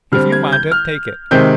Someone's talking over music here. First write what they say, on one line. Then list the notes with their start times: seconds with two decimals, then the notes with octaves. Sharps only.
If you want it, take it.
0.12 D3 G3 C4 F6
0.32 G#6
0.52 G6
0.71 F6
1.31 C3 D#3 G#3 C4 G6